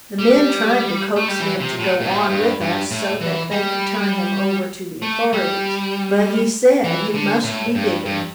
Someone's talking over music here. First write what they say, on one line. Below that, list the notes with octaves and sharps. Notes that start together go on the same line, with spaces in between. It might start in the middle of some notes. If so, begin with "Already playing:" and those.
The men tried to coax him to go on with us so that they could turn him over to the authorities, but he said he must be digging.
G3
A3
G3
E3
C3
A2
A2
C3
A2
G2
G2
A2
E3
G3
A3
G3
E3
D3
A2
G2
G2